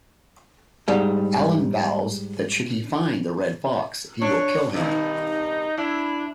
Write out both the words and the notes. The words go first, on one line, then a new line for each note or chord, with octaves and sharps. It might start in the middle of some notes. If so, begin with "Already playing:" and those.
Alan vows that should he find the "Red Fox" he will kill him.
G#2 G3
D4 C#5
G2 B2 D#3 D#4
D4 E4